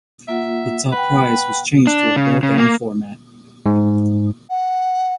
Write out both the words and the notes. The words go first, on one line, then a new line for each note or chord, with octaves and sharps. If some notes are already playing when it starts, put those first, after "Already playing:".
The top prize was changed to a rolldown format.
A#3 F4 E5 F#5
B4 F#5 G5
D4
C#3
C#3
A#3
G#2
F#5